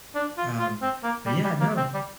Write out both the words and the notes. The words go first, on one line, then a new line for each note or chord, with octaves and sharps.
um, but, yeah, no.
D4
F4
F4
C4
A#3
G3
G3
A#3
C4
G3